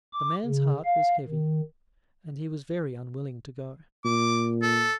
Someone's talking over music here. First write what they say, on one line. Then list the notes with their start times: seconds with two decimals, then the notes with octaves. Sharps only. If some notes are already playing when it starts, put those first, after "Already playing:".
The man's heart was heavy, and he was very unwilling to go.
0.13 D6
0.45 C#3
0.85 F5
1.28 D#3
4.05 A#2 D6
4.63 A4